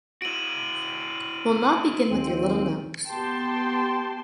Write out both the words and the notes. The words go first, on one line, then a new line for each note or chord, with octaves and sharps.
We’ll not begin with your little notes.
E4 F#4 D7 D#7 F#7
D#2 C4
B3 G4 G5 A5 C6